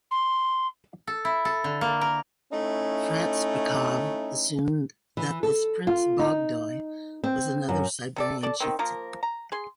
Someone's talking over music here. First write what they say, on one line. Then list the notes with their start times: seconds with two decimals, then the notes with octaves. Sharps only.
Frantsbekov assumed that this Prince Bogdoy was another Siberian chieftain.
0.11 C6
1.07 A4
1.25 E4
1.45 A4
1.64 D3
1.81 A#3
2.01 A#4
2.52 A3 C#4 D#4 E4
5.17 E3
5.43 A4
5.87 F4
6.19 D#4
7.24 C4
7.68 F#2
8.16 C3 A4 D5
8.43 A4 D5 A5
8.60 D#3 C4
8.79 F3 A#3 A#4
9.23 A#5
9.52 G#4 C6